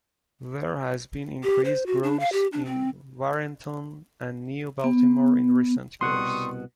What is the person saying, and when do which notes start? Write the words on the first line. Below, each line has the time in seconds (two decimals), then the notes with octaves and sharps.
There has been increased growth in Warrenton and New Baltimore in recent years.
1.43 G4
1.65 C5
1.86 F#4
2.03 D4
2.20 F5
2.32 G4
2.53 D4
2.65 C4
4.84 B3
6.01 C2 B2 G3 F#5 C6 C#6 D#6